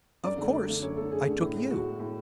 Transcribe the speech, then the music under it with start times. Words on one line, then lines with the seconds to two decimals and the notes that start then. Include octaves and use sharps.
Of course, I took you.
0.24 F#2 D5
0.38 D3 A3
0.53 F#2
0.68 D3 A3
0.82 F#2 C#5
0.96 D3 A3 A4
1.12 F#2 G#4
1.26 D3 A3
1.41 A2
1.56 G#3
1.70 A2 F#4
1.84 G#3
1.99 A2